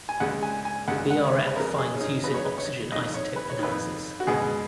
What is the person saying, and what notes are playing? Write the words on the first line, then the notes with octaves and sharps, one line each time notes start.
BrF finds use in oxygen isotope analysis.
G#5
C#2 C#3 F#5
G#5
G#5
C#2 C#3 F#5
F#5
C#5
B4
B4
F2 C#3 A#4
G#4
C#4
D#4
F2 C#3 B4
C#5
B4
C#5
F2 D#3 D#5
C#5
B4
C#5
F2 D#3 B4
F#4
C#2 B2 G#4